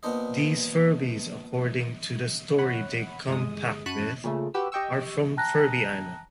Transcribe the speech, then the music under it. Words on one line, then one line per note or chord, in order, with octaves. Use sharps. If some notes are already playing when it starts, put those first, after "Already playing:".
These Furbies, according to the story they come packed with, are from Furby Island.
A#2 B3 D4 C5 D#5
C#5 F#5 B5
G1 G#3 D#6
F#2 A5 B5 C#6 F#6 D#7
A#2 C#3 A3
F#4 G4 B4 E6
G4 D#5 G5 C#6 E6
G5 A5 A#5 F#6 A#6